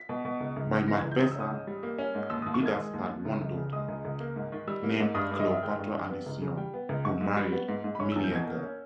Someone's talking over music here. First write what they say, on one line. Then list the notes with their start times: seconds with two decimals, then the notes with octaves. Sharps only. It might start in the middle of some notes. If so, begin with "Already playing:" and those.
By Marpessa, Idas had one daughter named Cleopatra Alcyone who married Meleager.
Already playing: B6
0.09 B2
0.25 B2
0.40 C#2
0.56 C#2
0.72 C#3
0.88 E3 A#6
1.00 G#6
1.04 C#2
1.12 G6
1.19 C#2 D#6
1.32 E6
1.36 C#4 D#6
1.51 G#2
1.67 G3
1.83 A#3
1.99 C#4
2.15 G#2
2.30 D#2 E6
2.42 D#6
2.46 D#2
2.54 C#6
2.62 D#3 G#6
2.78 G#3
2.94 D#2
3.09 D#2
3.25 C#2
3.41 C#2
3.57 C#3
3.73 G#3 D#6
3.89 C#2
4.05 C#2
4.20 A#3
4.36 G#2
4.52 D#3
4.67 G3 E6
4.83 A#3
4.99 G#2
5.15 G2 D#6
5.31 G2
5.39 D#5
5.47 D#3 E5
5.63 G#3 G5
5.78 G2
5.94 G2
6.10 B3
6.26 C#2
6.42 C#3
6.57 G3 G5
6.74 B3
6.89 C#2
7.05 G#2 C#6
7.21 G#2
7.37 G3
7.52 B3
7.68 G#2
7.84 G#2
7.95 B5
8.00 C#4 C#6
8.12 E6
8.16 E2
8.24 G6
8.32 B2 G#6
8.47 A#3
8.63 C#4